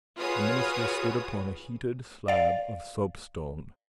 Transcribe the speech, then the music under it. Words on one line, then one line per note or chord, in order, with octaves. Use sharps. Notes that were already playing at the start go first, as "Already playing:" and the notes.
The minister stood upon a heated slab of soap-stone.
F4 F#4 G#4 B4 C#5 D#6
D5 F5